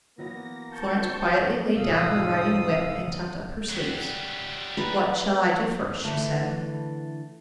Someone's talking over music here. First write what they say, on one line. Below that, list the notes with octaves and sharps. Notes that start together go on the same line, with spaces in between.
Florence quietly laid down her riding whip and tucked up her sleeves. "What shall I do first?" she said.
E3 F#3 A#3 B3 A#6
A5 C#6 G6
F#3 C5
F1 F2 A2 A4 F5 D#6 E6
F#3 G3
B4 A#5 B5
D3 E3 A3